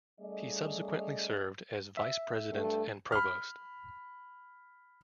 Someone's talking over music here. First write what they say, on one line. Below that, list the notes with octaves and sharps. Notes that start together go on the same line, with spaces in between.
He subsequently served as Vice President and Provost.
G3 A3 C#4 G#4 D5 D#5
E5
G2 A3 A4
B5 F6